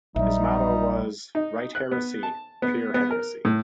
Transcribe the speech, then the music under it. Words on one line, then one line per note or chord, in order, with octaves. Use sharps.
His motto was: 'Write heresy, pure heresy.
A#1 F#3 G3 D#4 E5
D#4
F#6
B3
A5
B3
B3
A#4
A2